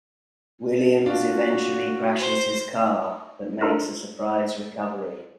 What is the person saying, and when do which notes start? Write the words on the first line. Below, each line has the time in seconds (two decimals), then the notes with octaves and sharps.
Williams eventually crashes his car, but makes a surprise recovery.
1.06 D4 F4 F#4
2.18 C5
3.61 D4 D#4 F4 A4 A#4